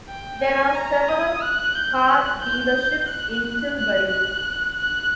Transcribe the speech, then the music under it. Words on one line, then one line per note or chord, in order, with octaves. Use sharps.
There are several car dealerships in Tilbury.
G5
G#5
A#5
D#6
F#6
G6
F#6
G6
F#6
F#6
F#6
F#6